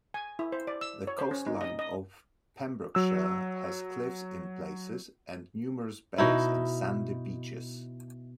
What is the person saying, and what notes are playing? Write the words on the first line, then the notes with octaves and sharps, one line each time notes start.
The coastline of Pembrokeshire has cliffs in places, and numerous bays and sandy beaches.
G#5
E4
C5
D5
E6
C#5
C5
C#4
D#4
D#5
D#5
F#3 E6
B2 D#4 E4